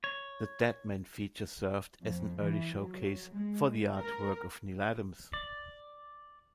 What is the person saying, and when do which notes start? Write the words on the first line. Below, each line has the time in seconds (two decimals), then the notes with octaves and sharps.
The "Deadman" feature served as an early showcase for the artwork of Neal Adams.
0.04 C#5
2.04 F2
2.40 E3
2.78 F#3
3.35 G#3
4.00 A#4
5.33 D5